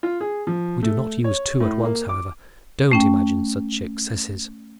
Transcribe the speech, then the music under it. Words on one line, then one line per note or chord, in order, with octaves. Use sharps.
We do not use two at once however; don't imagine such excesses. . .
F4
G#4
F3
A3
C#5
A2
A#3
D6
A3 C#4 G5